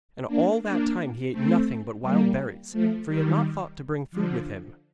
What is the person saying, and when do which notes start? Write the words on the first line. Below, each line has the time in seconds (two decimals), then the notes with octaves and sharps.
And all that time he ate nothing but wild berries, for he had not thought to bring food with him.
0.27 A#3 D4
0.62 A#3 D4
1.32 A3 C4
2.02 G3 A#3
2.72 F3 A3
3.07 D#3 G3
4.12 D3 F3